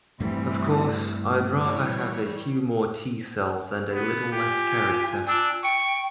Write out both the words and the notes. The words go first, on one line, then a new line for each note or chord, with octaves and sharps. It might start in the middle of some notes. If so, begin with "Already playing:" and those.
Of course, I'd rather have a few more T-cells and a little less character.
G2 C3 E3 G3 A3
E3 G3 C#5
B3
F4 G4 G#5
D4 E6
G5 C#6